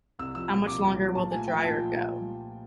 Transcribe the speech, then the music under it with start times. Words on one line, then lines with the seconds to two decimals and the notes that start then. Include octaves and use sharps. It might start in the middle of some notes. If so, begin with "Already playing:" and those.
How much longer will the dryer go?
0.19 C2 E6
0.35 F3 E6
0.51 A#2
0.67 C2 D6
0.83 C2
1.00 F3
1.15 A#2 A5
1.32 A3 G#5
1.48 F3 G5
1.64 A#2 A5